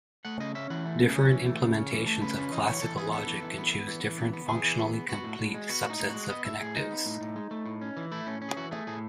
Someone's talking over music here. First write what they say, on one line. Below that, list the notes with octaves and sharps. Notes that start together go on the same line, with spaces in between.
Different implementations of classical logic can choose different functionally complete subsets of connectives.
A3 F#5
C#3 D#5
C#4 E5
E3 F#5
A3
C#3
C#4
E3
A3
C#3
C#4
E3
A3 A5
C#3 B4
C#4 B4
E3 D#5
E3 C#5
E3 A4
B3 G#4
B3 A4
E3
E3
B3
B3
E3
E3
B3
B3
E3 G#4
E3
B3
B3
B3 F#4
A2
A2
G#3
B3 F#4
A2
D#4
A2
G#3 F#4
B3 D#5
A2 E5
A2 G#4
G#3 D#4
B3
A2
A2
G#3
A3
A2
C#4
E3
A3 E4
A2 C#4
C#4
G#4
E3 F#4
A3 G#4
A2 G#4